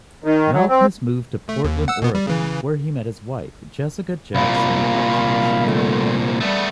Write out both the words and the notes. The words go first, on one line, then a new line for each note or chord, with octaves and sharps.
Malkmus moved to Portland, Oregon, where he met his wife, Jessica Jackson Hutchins.
D#3
F#3
C4
A3
D#2
F#5 E6
B2 B3
G3
C#3 E3
C2 A#2 F5 B5
D3 G3 A3
G3 A3 B3